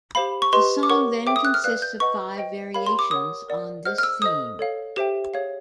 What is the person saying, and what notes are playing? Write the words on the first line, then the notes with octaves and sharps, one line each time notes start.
The song then consists of five variations on this theme.
G4 C5 F5 B5
C#6
G4 B4 D#5 C6
D6
A#4 C#5 F#5 C#6
G#4 C5 E5 G5 D6
D#6
F#6
F6
B4 D5 F5 F#6
G6
B4 D#5 F#5 C#6
C5 D#5 G5
G4 A#4 C#5 F5 B5
C6
D6
A#4 C#5 F#5 D#6
A#4 D5 F#5
G#4 C5 D#5 F#5 F6
F6
E6
A4 C5 D#5 D#6
A4 C#5 F5
G4 C5 E5 G5
G#4 C#5 F5